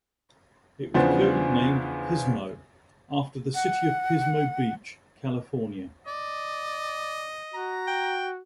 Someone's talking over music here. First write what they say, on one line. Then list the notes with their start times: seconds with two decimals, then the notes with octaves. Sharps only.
It was code named "Pismo" after the City of Pismo Beach, California.
0.94 E2 C#3 F3 B3 D4 C5
3.54 F#5
6.07 D5 D#5
7.54 F#4 A#5
7.87 G5